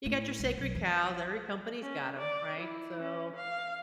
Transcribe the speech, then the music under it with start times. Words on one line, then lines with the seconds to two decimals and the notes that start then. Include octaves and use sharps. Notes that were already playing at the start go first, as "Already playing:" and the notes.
you got your sacred cows, every company's got 'em, right? So,
0.06 A2
0.40 C2
0.57 B1
0.75 E2
1.82 C#4
2.19 D5
2.60 E4
3.01 C#4
3.36 F5